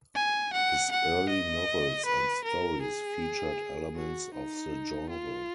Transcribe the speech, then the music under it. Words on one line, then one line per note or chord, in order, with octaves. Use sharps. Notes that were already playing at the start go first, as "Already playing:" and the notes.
His early novels and stories featured elements of the genre.
G#5
F#5
F#5
D#5
B4
A#4
G#4
F#4
D#4
F4